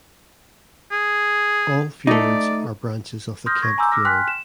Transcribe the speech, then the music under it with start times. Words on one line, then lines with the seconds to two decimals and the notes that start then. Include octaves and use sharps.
All fjords are branches of the Kempe Fjord.
0.92 G#4
2.07 A3 D#4 D5
3.46 C6 D#6 F6 G6 A#6
3.62 C#6 G#6 A#6
3.78 G#5 A#5 C6 D6 E6 G6
3.92 D6 E6 F6 A#6
4.05 G5 G#5 C6 F6 F#6 B6
4.28 E7